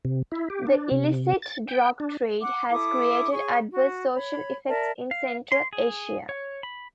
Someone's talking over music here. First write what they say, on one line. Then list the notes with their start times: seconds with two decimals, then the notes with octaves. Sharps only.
The illicit drug trade has created adverse social effects in Central Asia.
0.05 C3
0.32 E4
0.50 G4
0.67 D4
0.91 C3
1.42 A6
1.68 G5
2.00 D4
2.40 F#5 D6
2.70 E4 A4 D6 D#6
3.33 G#4 C#5 C#6
3.72 F#4
4.15 C#5 B5
4.68 A#4 D5 E5 A5
5.11 F5
5.52 C6
5.73 G#4
6.29 C#5
6.63 B5